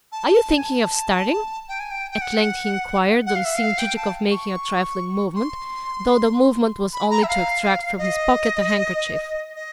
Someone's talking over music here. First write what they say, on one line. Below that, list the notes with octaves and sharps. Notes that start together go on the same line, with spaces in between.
"Are you thinking of starting?" at length he inquired, on seeing Chichikov making a trifling movement, though the movement was only to extract from his pocket a handkerchief.
A5
G#5
A5
G5
G#5
G5
G5
F#5
F#5
F5
E5
F5
G5
A5
C#6
C6
B5
A#5
E5
F5
D#5
D#5